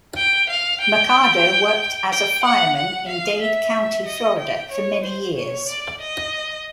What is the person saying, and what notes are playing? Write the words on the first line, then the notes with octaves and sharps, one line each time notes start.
Mercado worked as a fireman in Dade County, Florida, for many years.
G5
F5
G5
G5
F#5
F#5
F5
E5
D#5
G5
C#5
C5
C#5
D5
D#5